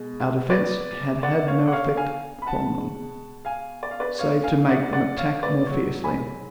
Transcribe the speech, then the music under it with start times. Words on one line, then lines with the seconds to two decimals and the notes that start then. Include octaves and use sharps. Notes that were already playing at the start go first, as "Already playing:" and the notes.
Our defence had had no effect upon them, save to make them attack more fiercely.
Already playing: B2 G#3
0.50 B4 D5
1.23 D5 F#5
1.48 C#5 F5
1.67 F#5
1.72 C#5 F5
1.97 F5 G#5
2.42 B5
2.47 F#5 A5
2.72 B2 G#3
3.45 F5 G#5
3.83 D5
3.91 F5
4.00 B4 D5
4.19 C#5 F5
4.43 F5 G#5
4.68 D5 F#5
4.93 D5 F#5
5.17 C#5 F5
5.43 B4 D5
5.67 G#2 F#3 C#5
6.04 G#5 B5